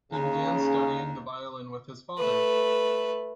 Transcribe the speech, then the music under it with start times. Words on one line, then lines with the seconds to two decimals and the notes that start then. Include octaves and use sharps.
He began studying the violin with his father.
0.12 D#2 C#3
2.18 A3 B4